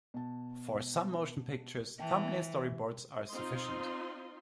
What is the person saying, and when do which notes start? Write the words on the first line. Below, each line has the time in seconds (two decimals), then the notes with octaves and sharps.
For some motion pictures, thumbnail storyboards are sufficient.
0.14 B2 A5
1.99 E3 G5 A5
3.29 C4 D#4 F4 D#5 C6